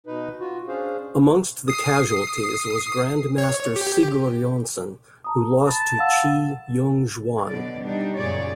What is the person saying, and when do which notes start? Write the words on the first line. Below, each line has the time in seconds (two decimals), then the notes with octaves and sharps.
Amongst the casualties was Grandmaster Sigurjonsson who lost to Qi Jung Xuan.
0.07 B2 D#4 B4
0.40 F4 F#4
0.68 C#4 D4 G#4 C5 F5
1.68 D#6 C7
3.38 C#5
3.76 G4
5.24 A5 A#5 D#6
5.67 A5 B5
5.99 F5 F#5 E6
7.47 B2 D3 F#3 D5
7.82 G3 D4 D#4
8.19 F#2 A#2 C#3 G#4 C#5 D5